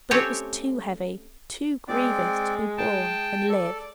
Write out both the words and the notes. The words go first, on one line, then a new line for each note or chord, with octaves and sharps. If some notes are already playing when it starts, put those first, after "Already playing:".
But it was too heavy, too grievous to be borne, and live.
A3 C4 C#4 G4 C5 C#5
G#3 C4 D5
G5 A5
A4 D5